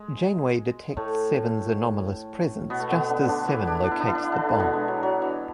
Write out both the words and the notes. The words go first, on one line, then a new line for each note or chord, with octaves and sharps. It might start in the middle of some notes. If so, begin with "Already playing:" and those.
Janeway detects Seven's anomalous presence just as Seven locates the bomb.
Already playing: G#3
A2 A3
B2 B3
A3
B2 B3
D3 D4
D3 D4
E3 E4
D4
E4
D4
E4
D4
E4
D4
E4
D3 D4
B2 B3
G#3
F#3
F#3
E3